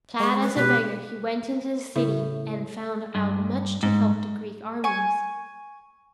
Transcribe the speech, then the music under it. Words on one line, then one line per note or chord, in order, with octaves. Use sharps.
Clad as a beggar he went into the city and found out much to help the Greek armies.
G#3 C#6
B4
B2 G4 B4
A2 C#3 E5
G2
G#2
G#5 C#6